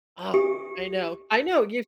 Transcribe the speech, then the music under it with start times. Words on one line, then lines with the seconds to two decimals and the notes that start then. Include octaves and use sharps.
Oh, I know. I know you
0.34 G4